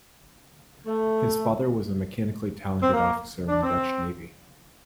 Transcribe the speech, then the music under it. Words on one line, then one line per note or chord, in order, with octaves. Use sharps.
His father was a mechanically talented officer in the Dutch Navy.
A3
C4
A#3
D4
C4